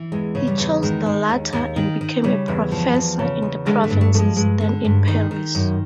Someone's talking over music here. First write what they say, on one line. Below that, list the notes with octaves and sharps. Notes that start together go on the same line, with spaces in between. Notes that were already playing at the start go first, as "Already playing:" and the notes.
He chose the latter and became a professor in the provinces, then in Paris.
Already playing: E3
E2 G#3
C#3
G3
E2
D#3 G#3
D#3
D#2
D#2
D#3
D#3
C#3 G3
E2
F3
E2
C#3
E2
D3 G#3
A3
G2
A3
F3 A3
G#3
G2 G#3
D3
G2
D#3
D#3
F#2